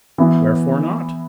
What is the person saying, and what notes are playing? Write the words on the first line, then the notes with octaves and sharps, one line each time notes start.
Wherefore not?
E3 B3 E4